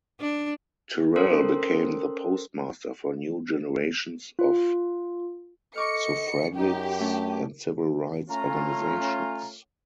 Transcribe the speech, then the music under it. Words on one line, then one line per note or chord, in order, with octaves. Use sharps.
Terrell became the postmaster for new generations of suffragists and civil rights organizations.
D4
C#4 A4 A#4 C5 C6
F4
A4 D#5 C#6 D6 F6 C#7
F#2 D#4 G4
A3 C#4 D4 G5
A3 C#4 F4 A#5